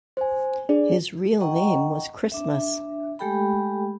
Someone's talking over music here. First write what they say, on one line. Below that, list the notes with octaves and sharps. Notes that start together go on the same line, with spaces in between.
His real name was Christmas!
C5 G#5
D4 G#4 D5
D#5 F#5 G5 A#5 C#6
D4 E5
G#3 A3 G4 A4 G5 B5